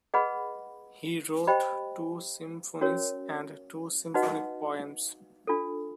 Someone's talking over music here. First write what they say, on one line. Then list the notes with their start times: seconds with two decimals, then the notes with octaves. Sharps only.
He wrote two symphonies and two symphonic poems.
0.14 G#4 B4 D#5 F#5 B5
1.47 G4 C5 D#5 G5 B5
2.81 C#4 F#4 A#4 C#5
4.14 D#4 F#4 B4 D#5 F#5
5.47 D4 F4 A4